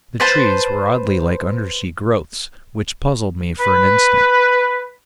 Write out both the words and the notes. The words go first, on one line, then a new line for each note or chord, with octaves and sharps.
The trees were oddly like undersea growths, which puzzled me for an instant.
B4 C5 A5
B4